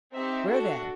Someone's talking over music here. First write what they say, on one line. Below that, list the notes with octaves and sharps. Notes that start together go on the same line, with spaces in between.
Where then?
C4 D#4 G4 E5
D4 F#4 A4